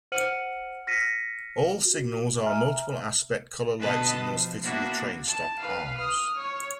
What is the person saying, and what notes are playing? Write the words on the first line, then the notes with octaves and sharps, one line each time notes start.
All signals are multiple aspect colour light signals fitted with train stop arms.
C5 F#5 F6 C#7 D#7 F#7
F6 A#6 B6 C#7 D#7
F#4
E5 G#5 A#5 F6
B2 D3 B3 B4 D#5 A5
F3
A#3 B3 D4 E4 F#4
A5
B4 F5
D#6 F6
C#5